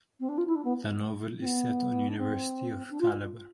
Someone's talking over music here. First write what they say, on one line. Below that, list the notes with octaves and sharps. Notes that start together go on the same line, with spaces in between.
The novel is set on University of Calabar.
C4
D4
F4
E4
D4
B3
C4
B3
D4
C4
D4
F4